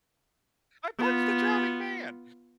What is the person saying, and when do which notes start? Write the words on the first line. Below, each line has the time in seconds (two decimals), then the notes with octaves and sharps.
I punched the drowning man!
0.98 B3 F4